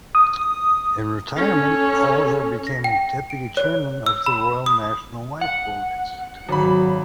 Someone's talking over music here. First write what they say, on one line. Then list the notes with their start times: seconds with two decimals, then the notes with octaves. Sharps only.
In retirement Oliver became Deputy Chairman of the Royal National Lifeboat Institution.
0.15 D#6
1.36 C#4 A4
2.67 A#6
2.84 G5
3.30 D7
3.57 C#5
4.06 E6
4.26 B5
4.66 D#6
5.41 F#5
6.49 G#1 F#3 B5